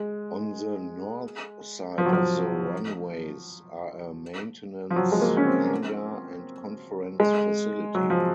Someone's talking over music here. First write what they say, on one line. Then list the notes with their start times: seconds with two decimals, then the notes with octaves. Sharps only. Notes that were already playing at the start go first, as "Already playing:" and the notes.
On the north side of the runways are a maintenance hangar and conference facility.
Already playing: G#3
1.98 F3
2.06 F#3
2.13 F3
4.90 F3
4.96 F#3
5.12 G#3
5.22 A#3
5.37 C#4
5.46 C4
7.20 G#3
7.95 F#3
8.10 F3